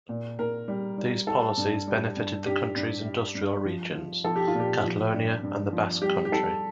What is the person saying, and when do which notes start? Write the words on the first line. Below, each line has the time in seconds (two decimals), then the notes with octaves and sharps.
These policies benefitted the country's industrial regions, Catalonia and the Basque Country.
0.09 A#2
0.39 A#2 A#4
0.68 G3
0.98 G3
1.27 G3 A4
1.57 G2
1.88 G3
2.17 G2
2.46 G2 G4
2.76 G2
3.05 G3
3.35 G2
3.65 F3
3.95 F3
4.24 F3 A4
4.36 G4
4.48 F4
4.54 A#2
4.60 G4
4.84 F3
5.14 G2
5.43 G2
5.73 F3
6.02 G3 G4
6.25 G4
6.32 G3 A4